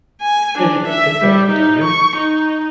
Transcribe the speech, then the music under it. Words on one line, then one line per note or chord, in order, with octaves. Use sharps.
Yeah, you wouldn't think that, but, uh, yeah.
G#5
D4
E5
G3
D#4
C#6
D#4